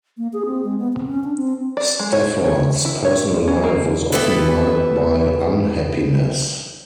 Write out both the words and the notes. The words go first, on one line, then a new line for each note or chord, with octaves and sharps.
Stafford's personal life was often marked by unhappiness.
A#3
G#4
C4
G#3
B3
C4
C#4
D4
C4
D5
G#3
C#5
C#5
E4
C#5
C#4
A#3
B3 E4 G4 A4 B4